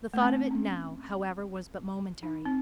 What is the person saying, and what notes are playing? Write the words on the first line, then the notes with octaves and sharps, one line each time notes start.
The thought of it now, however, was but momentary.
A3
C4
C#4
D#4
C4